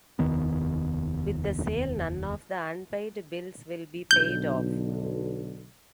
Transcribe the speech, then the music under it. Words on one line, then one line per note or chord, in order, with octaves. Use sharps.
With the sale, none of the unpaid bills will be paid off.
F1 D#2 D#3 B3
B1 D3 G6